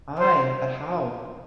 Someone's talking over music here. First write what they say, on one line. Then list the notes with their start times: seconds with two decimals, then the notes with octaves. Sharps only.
Ay, but how?
0.19 C5